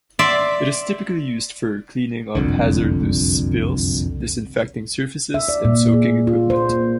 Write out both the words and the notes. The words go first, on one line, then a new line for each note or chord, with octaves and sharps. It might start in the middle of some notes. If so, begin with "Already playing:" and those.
It is typically used for cleaning up hazardous spills, disinfecting surfaces and soaking equipment.
D5 E5 C6
F#1 C2 F2 D3
E5
D5
A#2
G#4
F4
C5
A#3